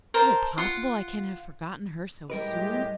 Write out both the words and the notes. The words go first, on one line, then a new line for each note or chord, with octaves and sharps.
'Is it possible I can have forgotten her so soon?
A#4 C5 A5
F4 F#5
A2 G3 G#3 G4 A#4 B4 D#5